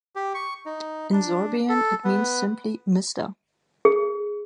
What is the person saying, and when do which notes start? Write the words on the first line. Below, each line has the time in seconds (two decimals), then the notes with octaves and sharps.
In Sorbian it means simply "Mister".
0.16 G4
0.35 C#6
0.66 D#4
1.13 D4
1.69 A4
2.04 B3
3.85 G#4